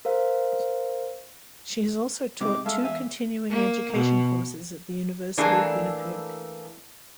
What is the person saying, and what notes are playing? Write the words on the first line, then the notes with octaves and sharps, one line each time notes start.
She has also taught two continuing education courses at the University of Winnipeg.
A#4 C5 F5
C3 G#3 D#4 D6
G#3 A4 E5 F5
E2 E5 F5 G#5
A#3
B2
E3 A3 A#3 D4 G#4 A4